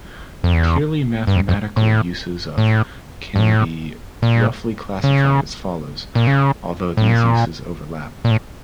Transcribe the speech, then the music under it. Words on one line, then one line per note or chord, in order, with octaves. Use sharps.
Purely mathematical uses of can be roughly classified as follows, although these uses overlap.
F2
E2
G2
F2
F2
A2
A2
G2
A2
A#2
C#3
A#2
C#3
A2
A#2
A#2
A2